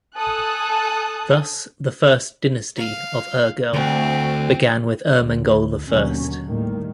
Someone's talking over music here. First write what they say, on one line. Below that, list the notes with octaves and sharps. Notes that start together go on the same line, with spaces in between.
Thus the first dynasty of Urgell began with Ermengol the First.
A4 G#5 A5 D#6 F#6
F5
D2 C4
D2
D#2 B2 D3 F#3 C#4
A2 D#3 G3 A#3